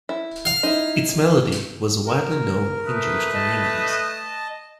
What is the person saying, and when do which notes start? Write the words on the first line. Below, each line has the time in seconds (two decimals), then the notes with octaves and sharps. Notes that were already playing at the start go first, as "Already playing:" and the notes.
Its melody was widely known in Jewish communities.
0.09 E4
0.45 F5
0.63 D#4 E4
2.06 A#4
2.85 A3 B4 D#6
3.34 D#5 A5